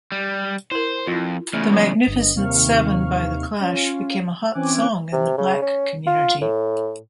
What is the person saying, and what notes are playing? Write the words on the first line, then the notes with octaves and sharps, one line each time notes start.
"The Magnificent Seven" by the Clash became a hot song in the Black Community.
G3
E4 A#4 C5
F2 E4 F4
E2 C#3 A3
F#3
G1 G2 D#5
D#2 C3 D#3 F5 C#6 F6
C#4 F4
E3 C4 C#4 G#5 D6 F#6
C3
C#3
C#4
F4
A2